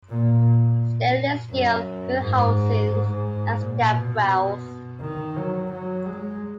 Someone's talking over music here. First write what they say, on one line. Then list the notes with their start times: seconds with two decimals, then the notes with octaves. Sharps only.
Stainless steel wheel housings and stepwells.
0.09 A#2
1.50 F#2
2.19 G#2
2.91 G#2
3.61 A#2
3.95 B2
5.01 D#3
5.37 F#3
5.72 F#3
6.07 G#3